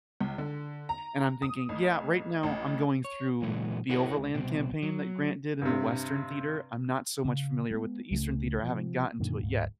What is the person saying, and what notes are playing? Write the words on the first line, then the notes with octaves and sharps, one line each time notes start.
and I'm thinking, "Yeah, right now I'm going through the Overland Campaign that Grant did in the Western Theater, I'm not so much familiar with the Eastern Theater, I haven't gotten to it yet."
C#2
D3
A#5
D#6
A1
A1
C#5
A#2 D3 E3 F#3 G#3 B3
E4 G#4 A#4 C#5 F#5
C#2
C2 B2 C4
F#3
G2 C3
C#3
G#3 B3
C#2 C#3 A3
C3 F3
F#2 A#2 D3 D#3
D1 G#2